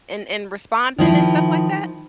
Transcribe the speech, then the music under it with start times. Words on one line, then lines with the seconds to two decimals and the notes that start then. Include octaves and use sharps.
and and responding and stuff like that?
0.98 D#3 F3 E4